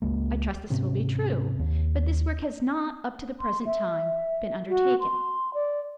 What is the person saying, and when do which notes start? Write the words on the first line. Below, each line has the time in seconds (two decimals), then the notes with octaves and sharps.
I trust this will be true, but this work has not, up to the present time, been undertaken.
0.02 C#2 G#3 A#3
0.70 G#2 C3 C4 C#4
1.59 D#2
3.39 C6
3.66 E5
4.69 F#4
5.00 C6
5.54 D5